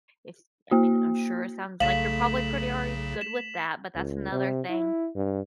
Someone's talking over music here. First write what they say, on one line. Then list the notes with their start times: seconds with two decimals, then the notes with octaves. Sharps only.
It's I mean, I'm sure it sounds like you're probably pretty already good with that, but that's another thing.
0.71 A#3 F#4
1.80 B1 C#3 A3 F5 B6 E7 F#7
3.21 E7
3.95 C#2
4.31 C3
4.69 E4
5.16 G2